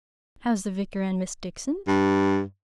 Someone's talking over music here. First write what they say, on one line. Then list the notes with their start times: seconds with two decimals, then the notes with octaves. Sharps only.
How's the Vicar and Miss Dixon?
1.88 G2